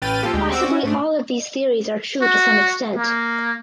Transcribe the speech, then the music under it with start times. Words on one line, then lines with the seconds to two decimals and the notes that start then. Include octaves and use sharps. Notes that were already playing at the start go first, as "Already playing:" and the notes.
Possibly all of these theories are true to some extent.
0.02 A1 B4 G5 F6 A6 D#7
0.22 F3 A#3 F4 G4 A4
0.34 D2 G#3 G4
0.51 C4 F#4 D6 E6
0.66 C#4 F#4
0.83 G#2 A3 D4
2.21 F#4
2.96 A#3